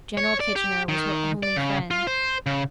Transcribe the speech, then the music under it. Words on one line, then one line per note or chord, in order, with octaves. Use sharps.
General Kitchener was her only friend.
C#5
D5
G4
D#3
D5
C#3
F4
C5
C#3